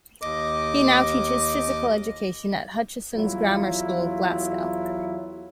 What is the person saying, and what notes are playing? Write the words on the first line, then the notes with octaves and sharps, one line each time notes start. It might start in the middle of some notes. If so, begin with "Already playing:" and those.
He now teaches physical education at Hutchesons' Grammar School, Glasgow.
D#2 D#5 D6
E2 F#3 E4 F4